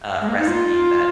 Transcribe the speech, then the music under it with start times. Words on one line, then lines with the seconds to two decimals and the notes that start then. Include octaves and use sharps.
uh, recipe that
0.21 G#3
0.28 A#3
0.39 D#4
0.48 F4